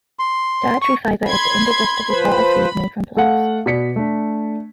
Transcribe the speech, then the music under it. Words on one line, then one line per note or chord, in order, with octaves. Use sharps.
Dietary fiber is the indigestible part of food made from plants.
C6
C#6
B5 C6 G#6
F3 B4 C5 B5
A3 A4 F5 F#5
B2 D5 B6 C#7
A3 D4